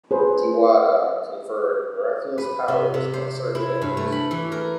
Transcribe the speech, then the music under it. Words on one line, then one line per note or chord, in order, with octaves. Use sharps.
Tirawa conferred miraculous powers on certain animals.
G#4 B4 C5
B4
C3
C3
C5
E4
G2
A3
B5
E3
A#4